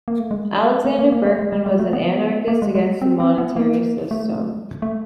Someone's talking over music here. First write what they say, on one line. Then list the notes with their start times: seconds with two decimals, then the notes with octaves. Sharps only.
Alexander Berkman was an anarchist against the monetary system.
0.08 A#3
0.20 A3
0.31 G#3
0.85 A3
0.99 A#3
1.12 A#3
1.26 A3
1.39 G#3
1.53 G3
1.66 G#3
1.79 A3
1.93 B3
2.48 A#3
2.62 G#3
2.75 G#3
3.02 C4
3.20 C4
3.38 B3
3.56 A#3
4.11 A3
4.82 A3